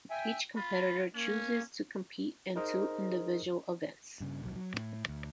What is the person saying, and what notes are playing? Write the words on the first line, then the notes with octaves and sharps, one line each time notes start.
Each competitor chooses to compete in two individual events.
E5 G5 G#5
F4 B5
A#3 C#4
D#4 G#4 A#4 C5 D#5
G2 C#3
D#1 B1 F#3
F#3
A2
D2